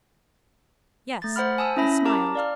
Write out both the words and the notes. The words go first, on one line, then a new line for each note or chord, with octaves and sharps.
Yes, he smiled.
A3 A6
C5 F#5 B5 F6
G#5 A5 D#6 E6
C#4 E4 E5 B5 A#6
G4 A#4 A5 A#5 D6
D5 F5 F6